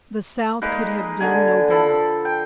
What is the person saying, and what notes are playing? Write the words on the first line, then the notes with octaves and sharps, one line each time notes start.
The South could have done no better.
G#3 A#3 D#4 B4
D3 G#5
F3 A4 B5
G5